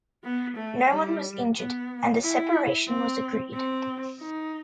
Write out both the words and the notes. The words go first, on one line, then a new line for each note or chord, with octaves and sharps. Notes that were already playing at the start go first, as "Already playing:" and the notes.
No one was injured and a separation was agreed.
B3
A3
G3
B3
E4
C4
C4
D#4